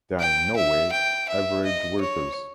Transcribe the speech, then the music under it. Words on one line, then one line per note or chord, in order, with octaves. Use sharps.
They are in no way average workers.
G5
E5
G5
E5
D#5
C#5